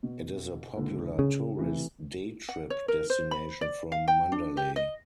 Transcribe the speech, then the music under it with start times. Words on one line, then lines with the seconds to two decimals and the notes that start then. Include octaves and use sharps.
It is a popular tourist day-trip destination from Mandalay.
0.03 B2
0.76 C#2 A#2 D3
1.19 C#3
1.57 C3 E3 A3
2.49 F#5
2.70 C#5
2.88 A#4
3.10 C5
3.31 B5
3.61 D5
3.92 F5
4.08 G5
4.32 D4
4.57 G4
4.76 D#5